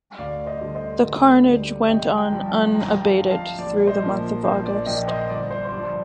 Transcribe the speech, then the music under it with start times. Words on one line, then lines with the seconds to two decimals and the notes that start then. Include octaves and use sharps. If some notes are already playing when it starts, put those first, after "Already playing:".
The carnage went on unabated through the month of August.
0.18 D2 D5 F5
0.46 C5 D#5
0.61 D3 G3
0.75 C5 D#5
1.03 D2
1.46 D3 G3
1.88 G1 D#5 G5
2.17 G5 A#5
2.31 G2 F3
2.46 F5 A5
2.73 G1 G5 A#5
2.96 G5
3.02 F5 A5
3.16 G2 F3
3.30 F5 A5
3.59 A#1 D5
3.87 C5 D#5
4.02 A#2 F3 A#3
4.44 A#1 C5
4.65 D5
4.86 A#2 F3 A#3 D#5 G5
5.08 C5 D#5
5.30 G1 D5
5.51 C5
5.65 C5
5.71 G2 D5
5.77 F3